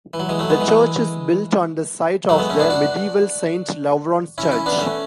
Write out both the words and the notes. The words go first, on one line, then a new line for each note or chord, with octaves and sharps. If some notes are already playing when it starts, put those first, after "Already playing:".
The church is built on the site of the medieval Saint Lavrans Church.
E3
F#3
E3 G#3
F#3 A3
G#3 B3
E3 G#3
F#3 A3
G#3 B3
A3 C#4
B3 D4
D4 F#4
C#4 E4
C#4 E4
B3 D4
A3 C#4